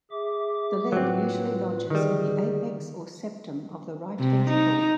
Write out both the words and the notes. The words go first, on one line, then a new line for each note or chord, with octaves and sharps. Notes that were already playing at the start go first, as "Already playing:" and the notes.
The lead usually lodges in the apex or septum of the right ventricle.
G#4 E5 D6
A2 F#3 C4 F4 B4
D3 D#3 G3 G#4
C3
D#4